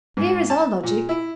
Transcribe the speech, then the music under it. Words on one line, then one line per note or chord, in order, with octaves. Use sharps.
Here is our logic.
G#2
A5
A#2
E4